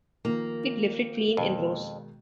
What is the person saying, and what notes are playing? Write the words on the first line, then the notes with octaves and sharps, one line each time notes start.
It lifted clean and rose.
D#3 F3 A#3
F2 B2 D#3 G#3